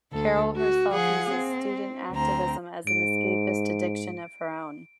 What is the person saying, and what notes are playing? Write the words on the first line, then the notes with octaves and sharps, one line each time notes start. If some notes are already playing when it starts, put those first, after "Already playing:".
Carol herself uses student activism as an escapist addiction of her own.
D2 A4
F#4
F3 G#4 F5 F#5
C4
D2 C4 A#5
G#2 D7